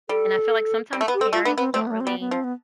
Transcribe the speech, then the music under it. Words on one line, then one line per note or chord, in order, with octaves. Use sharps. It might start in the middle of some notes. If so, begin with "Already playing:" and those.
And I feel like sometimes parents don't really
G3 A4
G3
A3
B3
G4
C4 A4
A3 F4
B3 D4
B3 C4
A3 C4
B3
A3
C4
G3 B3
B3
F3 C4
B3